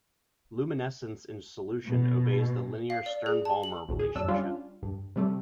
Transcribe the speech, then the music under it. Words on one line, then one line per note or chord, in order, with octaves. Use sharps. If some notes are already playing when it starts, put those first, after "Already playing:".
Luminescence in solution obeys the linear Stern-Volmer relationship.
B2
F5
D5
G#4
A5
F#7
A1 D2
G#4
F#2 D4 E6
G3 C#4 D4 F4
G2
C3 G3 A3